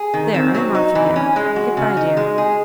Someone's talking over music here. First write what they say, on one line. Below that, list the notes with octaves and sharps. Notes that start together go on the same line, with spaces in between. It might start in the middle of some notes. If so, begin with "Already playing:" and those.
There, I am off again.... Good-bye, dear.
Already playing: G#4
D#3
C4
F#3
D#4
E3
C#4
G#3
F#4
C#3
D#4
G#3
G#4